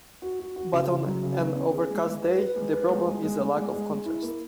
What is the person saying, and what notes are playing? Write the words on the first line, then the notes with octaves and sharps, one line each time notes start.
But on an overcast day the problem is a lack of contrast.
F#4
F#4
F#4
C#3
C#3
F#3
C#3
B3
C#4
G#4
G#3
G#3
B4
B4
G#3
B4
G#3
G#3
G#3
G#3
G#3
G#3
G#3
E4
A#3